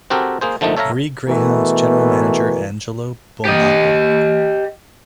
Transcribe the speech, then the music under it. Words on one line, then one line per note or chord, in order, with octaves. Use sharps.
Marie Greyhounds General Manager Angelo Bumbacco.
C4 F#4 G4 A4 A#4
A#3 G#4 C5
D3 F3 A3 A#3 D#4
A4 C#5 E5 F5 A#5
B2 E3 A3 B3 A#4
G4 D#5